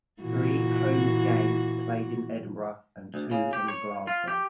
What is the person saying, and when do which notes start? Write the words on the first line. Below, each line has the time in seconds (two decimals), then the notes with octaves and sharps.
Three home games played in Edinburgh and two in Glasgow.
0.22 A#2 E3 F#4
3.14 D2
3.31 C#3
3.53 G4
3.68 C#5
4.07 F4
4.28 G4